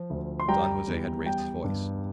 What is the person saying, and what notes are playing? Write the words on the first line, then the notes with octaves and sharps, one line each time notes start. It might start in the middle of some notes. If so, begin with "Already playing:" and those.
Don Jose had raised his voice.
Already playing: F3
D2
C6
G3 G5 A#5
E2
G3 G5
G2